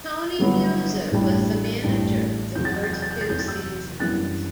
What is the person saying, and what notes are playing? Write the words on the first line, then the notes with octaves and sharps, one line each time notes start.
Tony Muser was the manager for the first two seasons.
G1 G2 F#3 B3
A1 A2 G3 D4
A1 A2 G3 D4
E2 C3 F#3 G6
A6
G6
A6
G6
A6
G6
A6
E2 C3 F#3 G6
A6
E6 G6
F#2 E3 G3 B3 D4 F#6 A6